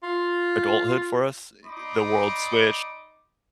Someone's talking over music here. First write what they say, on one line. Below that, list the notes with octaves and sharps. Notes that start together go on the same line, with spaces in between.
adulthood for us, eh, the world switched.
F4
D#4 D5 D#5 B5 C6 D6